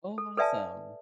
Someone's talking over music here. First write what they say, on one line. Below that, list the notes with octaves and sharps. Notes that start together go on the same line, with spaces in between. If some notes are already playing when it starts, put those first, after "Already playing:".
Oh, awesome.
A4
A4 B4 D5 E5 G#5 A5